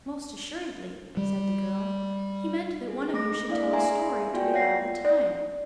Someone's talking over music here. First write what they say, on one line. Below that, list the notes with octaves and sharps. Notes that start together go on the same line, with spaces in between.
"Most assuredly," said the girl; "he meant that one of you should tell a story to beguile the time."
G3
C4 G#4
A3 D6 A#6
A#3 D4 E4 D5 F5
G#4 E5 G#5 A#5 C6
B3 F4 F#4 D5 G5 G#5
C#5 F5 F#5 A#6 C7
D5